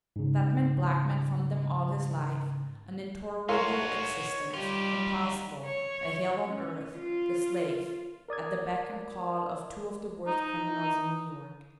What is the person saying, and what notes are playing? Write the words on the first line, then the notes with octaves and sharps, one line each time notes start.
That meant blackmail from them all his life, an intolerable existence, impossible, a hell on earth--the slave, at the beck and call of two of the worst criminals in New York!
G#2 C#3
D#4 F#4 A#4 C#5 F5 C6
G3 D#4 F4 G4
C#5
C#4
F4
A#4 D5 D#6 G#6
D#4